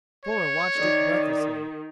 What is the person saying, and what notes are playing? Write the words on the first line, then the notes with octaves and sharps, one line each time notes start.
Fuller watched it breathlessly.
C#5
D#3 D5